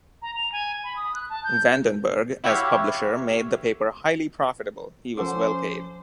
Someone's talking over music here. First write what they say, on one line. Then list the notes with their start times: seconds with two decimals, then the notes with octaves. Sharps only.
Vandenberg as publisher made the paper highly profitable; he was well paid.
0.22 A#5
0.36 F7
0.52 G#5
0.84 B5
0.96 D#6
1.15 F#6
1.30 A5
1.44 G6
2.44 E4 F#4 G4 C#5 E5 F5
5.17 F3 C#4 A4 C5 F#5 D6